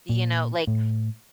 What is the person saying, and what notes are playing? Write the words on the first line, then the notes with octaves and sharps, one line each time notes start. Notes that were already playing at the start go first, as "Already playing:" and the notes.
you know like,
A#2
A2